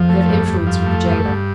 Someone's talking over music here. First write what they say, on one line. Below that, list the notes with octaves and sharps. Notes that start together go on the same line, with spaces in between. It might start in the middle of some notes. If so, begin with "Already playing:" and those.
I have influence with the gaoler.
Already playing: F2 F3
A3
G2
G2
F3
A3
G2
G2